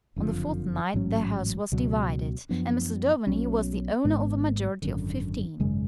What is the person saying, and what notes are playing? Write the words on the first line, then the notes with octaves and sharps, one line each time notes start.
On the fourth night the House was divided, and Mr. Daubeny was the owner of a majority of fifteen.
F#1 F2 D3 F3
A1 G#2 F#3 C#4
C#2 B2 F#3
F#2 F3 B3 D4
B1 B2 F#3 C#4
G#1 G#2 G#3 B3
G#1 F#2 D3
G#1 F#2 C#3 G#3